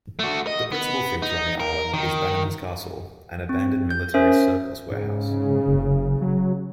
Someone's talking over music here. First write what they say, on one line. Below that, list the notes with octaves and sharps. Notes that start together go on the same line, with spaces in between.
The principal feature on the island is Bannerman's Castle, an abandoned military surplus warehouse.
A3 F#4
D#5
B3
D#4
A#4
D#3
C4
G6
C#4 A#4 C5 E5
G#2 C#3
F#1
F#3